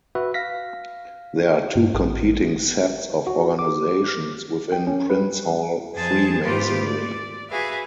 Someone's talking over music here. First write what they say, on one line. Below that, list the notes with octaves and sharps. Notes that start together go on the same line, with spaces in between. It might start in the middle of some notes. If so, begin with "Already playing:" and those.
There are two competing sets of organizations within Prince Hall Freemasonry.
F#4 B4 E5
F5 A#6 B6
G2
A1
F#4
D6
G5
C#4
B4
F2 G#4 C5 A5
G#2 B3 F4 G4 C5 D6
D5
F#4 G#4 B4 E5 F5